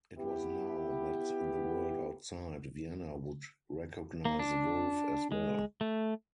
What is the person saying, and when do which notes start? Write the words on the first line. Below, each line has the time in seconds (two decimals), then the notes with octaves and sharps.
It was now that the world outside Vienna would recognize Wolf as well.
0.17 B3 E4 G4
4.25 A#3
4.39 D4
5.32 G#3
5.81 A3